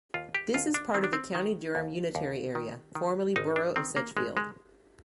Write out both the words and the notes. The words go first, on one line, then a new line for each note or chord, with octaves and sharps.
This is part of the County Durham unitary area, formally Borough of Sedgefield.
D#2 F4
G4
D#2 F4
D4
D#3 C4
D4
C4
D#3
D#2
D#2
D#3
D#3
G#1 D#4
D4
D#3 C4
A#3
G#1 G#3
G#3